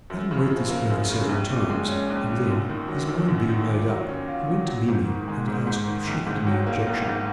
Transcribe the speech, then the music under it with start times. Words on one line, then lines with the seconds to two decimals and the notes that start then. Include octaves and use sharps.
Adam read this over several times, and then, his mind being made up, he went to Mimi and asked if she had any objection.
0.10 F#2
0.31 C#3
0.50 F3
0.70 A#3
0.90 F#2
1.10 C#3
1.29 A#1
1.50 A#2
1.69 G#3
1.89 C#4
2.10 A#1
2.30 A#2
2.49 F#2
2.70 D#3
2.88 F#3
3.08 F#2
3.28 F#2
3.49 D#3
3.69 A#2
3.88 F#3
4.09 C#4
4.28 F4
4.48 A#2
4.68 F#3
4.88 G#2
5.08 D#3
5.28 G#3
5.48 G#2
5.67 G#2
5.87 D#3
6.07 A#1
6.27 G#2
6.47 F#3
6.66 A#3
6.87 A#1
7.06 G#2